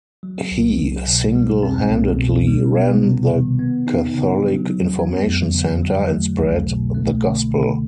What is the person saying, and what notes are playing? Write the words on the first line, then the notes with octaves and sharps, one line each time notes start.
He singlehandedly ran the Catholic Information Centre and spread the Gospel.
F#3
C2
C2
B2
G3
C4
C2
B2
G3
B3
C3
D#3
B3
D#4
C#3
F#3
F#3
B3
F2
D3
F#3
A3
C2
B2
A3
D3
D3